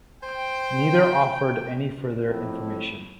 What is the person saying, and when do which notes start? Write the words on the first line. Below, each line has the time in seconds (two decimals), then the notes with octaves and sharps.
Neither offered any further information.
0.23 C5 G5
2.27 F2 A2 A3 E4